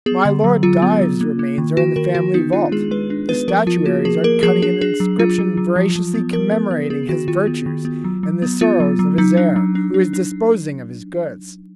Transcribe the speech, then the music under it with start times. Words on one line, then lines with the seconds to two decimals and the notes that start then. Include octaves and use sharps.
My Lord Dives's remains are in the family vault: the statuaries are cutting an inscription veraciously commemorating his virtues, and the sorrows of his heir, who is disposing of his goods.
0.06 B3 G#4
0.25 D3
0.44 F#3
0.63 F#3 F4
0.82 B3
1.01 F#3
1.21 A#3
1.39 A#3
1.58 D#3
1.77 D#3 F#4
1.96 D#3 A#4
2.15 D#3 F#4
2.34 B3 D#4
2.53 D4 F4
2.72 G#3 G#4
2.91 G#3 B4
3.10 D4
3.29 B3 B4
3.48 F3 A#4
3.67 F3 F4
3.86 A#3 F#4
4.05 F3 G#4
4.24 A#3 A#4
4.43 F3 G#4
4.62 D4 G#4
4.81 D4 G#4
5.00 F#3
5.19 F#3 F4
5.38 F#3
5.57 F#3
5.76 F3
5.96 F3
6.14 B3
6.33 F3 A#4
6.52 B3
6.71 B3
6.90 B3 G#4
7.09 D#3 F#4
7.28 D#3 F4
7.47 B3
7.66 D#3
7.85 B3
8.04 F#3
8.23 F#3
8.42 B3
8.61 B3 F4
8.80 F#3
8.99 F#3
9.18 F#3 D#4
9.37 D4
9.56 F#3
9.75 D4
9.94 D4
10.13 D4